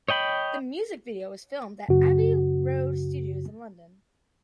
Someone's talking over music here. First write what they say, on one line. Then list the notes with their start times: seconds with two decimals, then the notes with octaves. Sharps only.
The music video was filmed at Abbey Road Studios in London.
0.09 C#5 D#5 G5 B5
1.89 F#2 C#3 F#4